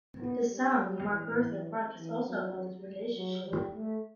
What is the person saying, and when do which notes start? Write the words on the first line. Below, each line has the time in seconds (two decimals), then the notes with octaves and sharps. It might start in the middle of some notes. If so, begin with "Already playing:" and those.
The song MacArthur Park is also about that relationship.
0.20 B3
0.49 G3
0.79 F#3
1.08 E3
1.97 E3
2.26 F#3
3.16 F#3
3.45 G3
3.75 A3